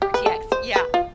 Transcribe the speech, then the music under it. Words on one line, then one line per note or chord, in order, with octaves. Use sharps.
RTX, yeah.
G4
B4
A4
C5
B4
F4